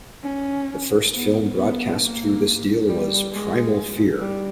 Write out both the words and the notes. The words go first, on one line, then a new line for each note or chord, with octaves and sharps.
The first film broadcast through this deal was "Primal Fear".
C#4
B3
B3
A#3
G3
G#3
G3